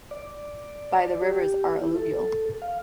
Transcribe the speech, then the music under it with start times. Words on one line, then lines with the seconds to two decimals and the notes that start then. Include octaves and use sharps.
By the rivers are alluvial.
0.11 D5
1.22 G4
1.81 E4
1.94 A4
2.62 F5